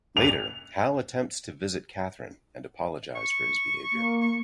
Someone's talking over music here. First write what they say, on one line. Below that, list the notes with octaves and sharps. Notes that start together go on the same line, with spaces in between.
Later, Hal attempts to visit Catherine and apologize for his behavior.
F7
C#6
A#3
C#6